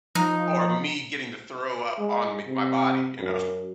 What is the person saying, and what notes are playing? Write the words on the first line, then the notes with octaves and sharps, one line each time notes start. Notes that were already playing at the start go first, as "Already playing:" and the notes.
or me getting to throw up on me my body, you know?
F3 D#4
G#3
C3
F#2